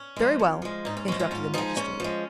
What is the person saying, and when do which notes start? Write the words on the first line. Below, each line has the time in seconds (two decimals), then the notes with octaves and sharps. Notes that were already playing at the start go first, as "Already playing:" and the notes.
"Very well!" interrupted the magistrate.
Already playing: C#4
0.16 F3 G#3
0.39 F2
0.62 F3 G#3
0.85 G#2 D#4
0.97 C#4
1.08 G#3 C#4
1.12 F3
1.19 C#4 F4
1.31 G#2 C#4 F4
1.54 F3 G#3 D#4 G#4
1.77 G#2 C#4
2.00 F3 G#3